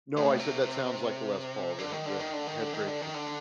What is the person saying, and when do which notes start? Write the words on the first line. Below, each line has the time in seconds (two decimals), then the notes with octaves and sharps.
No, I said that sounds like a Les Paul, the he the he the head breaking,
0.17 A2
0.39 C3
1.78 D3
1.92 D#3
2.06 D3
2.20 D#3
2.33 D3
2.47 D#3
2.61 D3
2.73 D#3
2.87 D3
3.01 D#3
3.14 D3